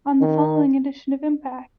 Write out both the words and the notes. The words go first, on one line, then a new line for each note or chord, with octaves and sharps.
On the following edition of Impact!
D#3